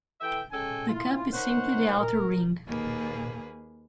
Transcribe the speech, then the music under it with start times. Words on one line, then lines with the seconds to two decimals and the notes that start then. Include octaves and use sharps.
The cup is simply the outer ring.
0.21 E3 A4 E5 G5
0.51 G#3 C#4 A4 G5 G#5
0.88 E4 F4
1.33 D#4 A#4 C5 C#5 F#5
1.99 A#4
2.67 D#2 A#3 G#4 B4